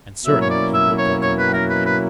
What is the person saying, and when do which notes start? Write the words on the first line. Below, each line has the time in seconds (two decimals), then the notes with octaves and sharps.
And certainly he looked like a madman.
0.25 B2 F#3 A#3 C#4 E4 E5
0.41 C#5
0.50 D5
0.74 E5
0.98 C#5
1.22 C#5
1.39 B4
1.53 A#4
1.70 B4
1.86 B4